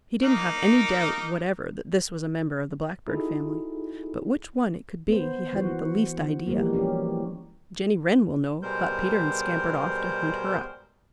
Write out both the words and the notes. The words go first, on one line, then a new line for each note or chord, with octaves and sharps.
He didn't have any doubt whatever that this was a member of the Blackbird family, but which one it could be he hadn't the least idea. "Jenny Wren will know," thought Peter and scampered off to hunt her up.
A#3 D#4
D#4 E4 F#4 G#4 A4
B3 C5
E3 F#4
E3 F3 G3 G#3 A#3
F#3 C#4 G4
B2 G3 G#3 A#4 C5 G6